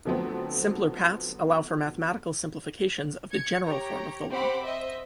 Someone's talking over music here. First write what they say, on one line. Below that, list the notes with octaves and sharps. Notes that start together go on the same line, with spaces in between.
Simpler paths allow for mathematical simplifications of the general form of the law.
D3 F3 F#3 A3 B3 C4
G#6 C#7
G4 C#5 A#5
C4 G4 C5 F#5 B5 D6
C5 D#5 E5